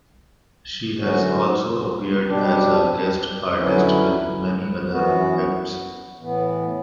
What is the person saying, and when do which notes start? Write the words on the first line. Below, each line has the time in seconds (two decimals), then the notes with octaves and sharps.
She has also appeared as a guest artist with many other acts.
0.97 F#2 D3 F#3 C#4 F#4
2.27 B2 G3 D4 G4
3.58 D3 F#3 C#4 E4 B4
4.88 F#2 E3 B3 F#4
6.19 A2 E3 B3